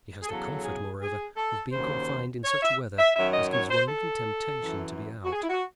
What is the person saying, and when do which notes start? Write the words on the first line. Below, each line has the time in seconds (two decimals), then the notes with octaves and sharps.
She has the comfort moreover of being confined in such weather as gives one little temptation to be out.
0.22 G#4
0.29 E2 C#3 F#3 A4
0.56 A4
0.64 G#4
1.01 G#4
1.36 A4
1.72 D#2 C#3 F#3 C5
2.44 C#5
2.62 E5
2.98 E5
3.15 F#2 D#3 F#3 E5
3.34 D#5
3.52 C#5
3.70 C5
3.88 A4
4.60 F#2 E3
5.24 F#4
5.32 G#4
5.43 E4
5.49 F#4